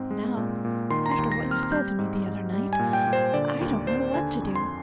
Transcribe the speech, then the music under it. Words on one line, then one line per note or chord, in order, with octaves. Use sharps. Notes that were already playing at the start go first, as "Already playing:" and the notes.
Now, after what you said to me the other night, I don't know what to do.
Already playing: G#2 C4
G#3
A#2
A#2
D#3 C6
A#5
C6
D#2
A#6
C4
F6
F6
G3 G6
G#2
G#2
G3
G#5
A#2
G5
A#2
C5
D3 D5
D#2
D#2 C5
D3 G#5
F2
C6